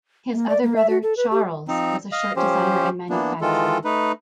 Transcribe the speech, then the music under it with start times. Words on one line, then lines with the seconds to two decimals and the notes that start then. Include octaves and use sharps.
His other brother, Charles, was a shirt designer and manufacturer.
0.34 A#3
0.49 D5
0.63 A#3
0.76 E5
0.90 F#4
1.03 A4
1.17 B4
1.31 G4
1.68 F3 C4 D#4
2.12 D#5 F5
2.36 F3 C#4 G4 C5
3.10 E3 A#3 B3 D4
3.41 D#3 E3 G#3 F4 A4
3.84 A3 D#4 B4